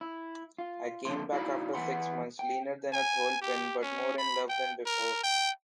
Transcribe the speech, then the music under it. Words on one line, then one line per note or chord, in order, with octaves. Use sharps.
I came back after six months, leaner than a thole pin, but more in love than before.
E4
F4
F2 D3 D#3 F3 A#3 C6
D#4 E4 F#4 D5 F5 B5
E3 B3 E5 F#5 B5 C6
G5
G#5
G4
C#4
B5
G5
A#4
G5